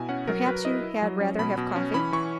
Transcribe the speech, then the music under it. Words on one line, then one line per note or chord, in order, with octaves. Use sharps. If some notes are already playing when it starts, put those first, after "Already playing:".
"Perhaps you had rather have coffee?"
Already playing: B2 E4 G#5
C#4 F#5
F#3 A#4
F#3 B4
E4 D#5
E4
F#3
C#4
B2 B5
B2
C#4
E3 B5
E3 C#6